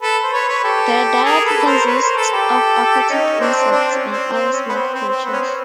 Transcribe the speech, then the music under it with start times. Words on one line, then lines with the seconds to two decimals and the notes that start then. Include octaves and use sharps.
Their diet consists of aquatic insects and other small creatures.
0.02 A4 B4
0.24 C5
0.33 B4 C#5
0.48 B4 C#5
0.64 G4 A4
1.25 G#4 A#4
1.45 A4 B4
1.66 A#4 C5
1.86 B4 C#5
2.02 A#4 C5
2.17 A4 B4
2.32 G4 A4
3.10 C#4 D#4
3.40 C4 D4
3.70 C4 D4
3.92 C#4
4.11 C4
4.32 C4
4.52 C#4
4.69 B3
4.74 C4
4.94 C4
5.10 C4
5.25 B3
5.33 C#4
5.40 C4